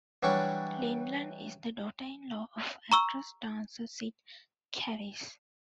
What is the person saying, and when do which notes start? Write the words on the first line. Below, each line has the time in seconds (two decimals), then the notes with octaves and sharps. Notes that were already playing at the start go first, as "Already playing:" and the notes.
Lindeland is the daughter-in-law of actress-dancer Cyd Charisse.
0.23 E3 F#3 G3 D4 C#5
2.92 A#5 C#6 E6